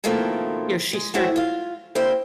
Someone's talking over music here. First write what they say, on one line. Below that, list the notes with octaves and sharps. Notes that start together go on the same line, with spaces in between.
you know, she started
B2 D#3 F3 A3 A#3 C4
G#3
G#3 A3 C4 C#4 E4 F#4
F4 F5
D3 G#3 A#3 E4 G4 C5